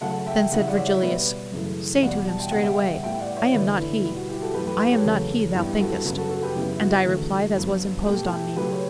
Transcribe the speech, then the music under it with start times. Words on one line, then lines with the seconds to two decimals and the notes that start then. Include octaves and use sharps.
Then said Virgilius: "Say to him straightway, 'I am not he, I am not he thou thinkest.'" And I replied as was imposed on me.
0.01 C#3 F#3 A3 F#5 A5
0.19 A5
0.26 E5 G5
0.52 C#3 E3 G3 F#5
0.60 E5
0.68 D5 F#5
0.77 C#5 E5
0.94 E5
1.02 B2 G3 B3 B4 D5
1.52 F#2 C#3 E3 A3
2.02 E2 B2 G3 B3 D5 F#5
2.27 A5
2.40 G5
2.51 C#3 G3 B3 F#5
2.63 E5 G5
3.03 A2 G3 B3 E5 G5
3.19 D5 F#5
3.37 C#5 E5
3.53 E2 D3 A3 B4 D5
3.79 E4
4.04 B2 G3 B3 E4
4.16 F#4
4.29 E4 G4
4.42 F#4 A4
4.53 F#2 E3 A3 G4 B4
4.67 G4 B4
4.79 G4 B4
4.92 A4 C#5
5.04 E2 C#3 F#3 A3
5.54 G2 E3 G3 B3 E4 G4
5.80 F#4 A4
6.05 F#2 C#3 F#3 B3 F#4
6.17 F#4 A4
6.30 F#4 A4
6.42 G4 B4
6.55 F#2 C#3 E3 B3 E4
6.76 E4
6.80 F#4
7.05 E2 D3 A3
7.56 G2 F#3 B3
8.06 B2 A3 G4
8.17 A4
8.25 E4 G4
8.56 C#3 F#3 A3 G4 B4
8.72 C#5